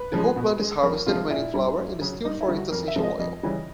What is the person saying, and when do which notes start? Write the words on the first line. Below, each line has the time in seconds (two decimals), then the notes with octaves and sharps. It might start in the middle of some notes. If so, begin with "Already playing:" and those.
The whole plant is harvested when in flower and distilled for its essential oil.
Already playing: B4
0.13 C#3 F3 G#3
0.36 B2
0.59 G#3
0.83 F2 A#4
1.06 C3 F3 G#3 F4
1.30 A#2 E4
1.54 G3
1.78 F#2
2.01 C#3 F#3
2.25 G2 D#4
2.41 E4
2.48 D3 G3
2.57 F#4
2.72 F2 A#4
2.88 E5
2.96 C3 F3 G#3
3.04 D#5
3.20 F2 D#5
3.43 C#3 E3 G3